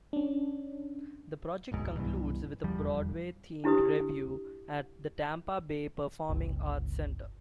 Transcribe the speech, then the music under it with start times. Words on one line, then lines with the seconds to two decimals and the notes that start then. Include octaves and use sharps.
The project concludes with a Broadway-themed revue at The Tampa Bay Performing Arts Center.
0.13 C#4 D4
1.72 D1 B1 G#2
1.96 C2 G2 B2 E3
2.64 F1 E2 F3 G3
3.64 D4 E4 G4 B4 D#6
6.29 G1 C#2